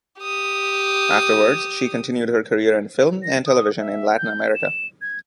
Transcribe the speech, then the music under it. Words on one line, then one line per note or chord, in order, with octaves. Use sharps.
Afterwards, she continued her career in film and television in Latin America.
G4 D#6
A#6
D#6
E5
G6
E7
G#6